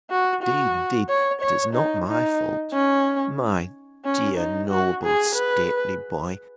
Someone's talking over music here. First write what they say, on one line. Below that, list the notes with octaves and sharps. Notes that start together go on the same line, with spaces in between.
Indeed, indeed, it is not my fault! My dear, noble, stately boy!
F#4
F#4
C#5
C#5
D#4
D#4
C#4
C#4
D#4
F#4
G#4
B4